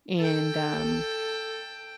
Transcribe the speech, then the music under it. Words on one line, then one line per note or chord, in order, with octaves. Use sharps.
and, um
A4 G5